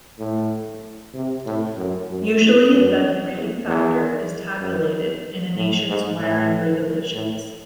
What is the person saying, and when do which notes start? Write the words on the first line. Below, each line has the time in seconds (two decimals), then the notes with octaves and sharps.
Usually the derating factor is tabulated in a nation's wiring regulations.
0.19 A2
1.14 C3
1.46 A2
1.77 F#2
2.09 F#2
2.41 E2
2.72 F#2
3.35 E2
3.67 E2
4.61 F#2
5.56 A2
5.88 G#2
6.19 A2
7.14 A2